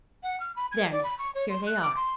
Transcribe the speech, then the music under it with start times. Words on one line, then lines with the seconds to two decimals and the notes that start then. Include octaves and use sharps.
There now, here they are.
0.23 F#5
0.40 F6
0.56 B5
0.71 G#6
0.92 D5
1.03 B5
1.18 C#6
1.34 C#5
1.49 C6
1.66 F#6
1.82 D6
1.96 C6